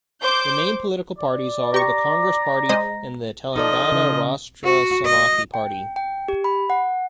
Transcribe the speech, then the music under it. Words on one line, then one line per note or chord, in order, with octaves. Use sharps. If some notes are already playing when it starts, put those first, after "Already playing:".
The main political parties are the Congress Party and the Telangana Rastra Samathi Party.
C5 D6 G6
D5
G4 A#5 C#6
G#3 C5 D#5
F3 D#4 A4 D5 D#5
C#3
F#4
D#5
G5
G5
G4
B5
F#5